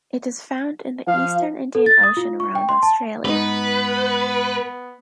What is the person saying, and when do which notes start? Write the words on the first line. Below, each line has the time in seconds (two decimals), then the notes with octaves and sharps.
It is found in the eastern Indian Ocean around Australia.
1.07 F3 F5
1.75 A4
1.86 A6
2.03 D#6
2.17 F4
2.40 C#6
2.55 G5
2.69 C6
2.83 A5
3.25 G#2 B3 D#4 B4